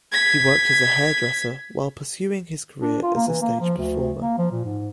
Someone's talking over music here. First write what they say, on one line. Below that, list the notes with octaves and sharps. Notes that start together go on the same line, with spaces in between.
He worked as a hairdresser while pursuing his career as a stage performer.
G#6 B6
D4
F4
A#3
E3
A#3
F3
D2
A#3
F3
A#2
G#2